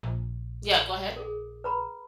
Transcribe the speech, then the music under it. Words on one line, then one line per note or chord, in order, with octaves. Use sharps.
Yeah, go ahead.
A#1
G#4 A#4
B4 A#5 B5